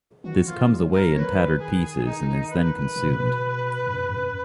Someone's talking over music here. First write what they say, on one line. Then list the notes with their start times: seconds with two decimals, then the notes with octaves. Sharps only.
This comes away in tattered pieces and is then consumed.
0.24 D#3 F#4
0.46 F3 F4
0.69 F#3
0.91 F3 A#4
1.14 D#3 B4 C#5
1.59 G#4
2.05 D#4
2.50 B4
2.96 B2
3.06 C#3
3.17 B2
3.86 F#2
4.09 F#2